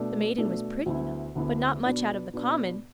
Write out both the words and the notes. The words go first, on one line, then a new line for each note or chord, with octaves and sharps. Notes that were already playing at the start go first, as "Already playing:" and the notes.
The maiden was pretty enough, but not much out of the common.
Already playing: B2 A3 D4
B2 A3 D4
D2 D3 B3 E4
D2 D3 B3 E4
B2 B3 D4
B2 B3 D4